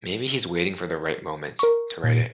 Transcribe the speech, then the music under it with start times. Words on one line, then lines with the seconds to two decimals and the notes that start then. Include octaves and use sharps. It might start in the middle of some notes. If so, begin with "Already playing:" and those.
Maybe he's waiting for the right moment to write it.
1.59 A#4 C#6
2.04 A#2